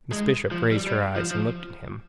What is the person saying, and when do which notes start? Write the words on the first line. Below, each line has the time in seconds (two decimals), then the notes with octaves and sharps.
Miss Bishop raised her eyes, and looked at him.
0.13 G#3
0.51 F3
0.72 G3
0.87 G3
1.16 F3
1.31 F3